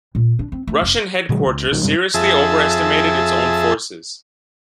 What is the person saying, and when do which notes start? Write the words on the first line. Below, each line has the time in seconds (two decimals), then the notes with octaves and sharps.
Russian headquarters seriously overestimated its own forces.
0.15 A#2
0.39 D4
0.52 C4
0.67 A3
0.82 F1
1.29 A#2 D3 F#3 G#3
1.46 C#2
1.71 A#1 D#3 F3 F#3
1.83 F#2 C3 G3 C4
2.14 F2 G#4 E5 A5